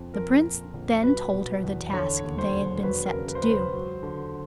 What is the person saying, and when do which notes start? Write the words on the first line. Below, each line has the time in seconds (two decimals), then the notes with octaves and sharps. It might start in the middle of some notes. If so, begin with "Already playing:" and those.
The Prince then told her the task they had been set to do.
Already playing: F2
0.14 F3 A#4
0.44 A#2
0.73 A#1
1.03 F#3 B4
1.33 B2
1.63 E2
1.93 D3 C#5
2.23 D#2
2.38 C5
2.53 E1
2.83 F#3 B4
3.05 A#4
3.13 C#3
3.28 B4
3.35 C5
3.42 C#2 B4
3.50 C5
3.73 F#3
4.03 D3